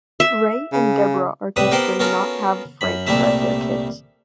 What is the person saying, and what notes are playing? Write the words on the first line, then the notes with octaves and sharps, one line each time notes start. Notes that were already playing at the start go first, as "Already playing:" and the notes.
Ray and Debra are considering not have Frank drive their kids.
E5
C#3
C2 A2 G3 B4 E5 D#6
B3 G4 A#4 C5 F#5 G5
B3 C#4 F4 F#4 A4 A#4
F#2 B5
C2 A#2 G3 A3 E4 E5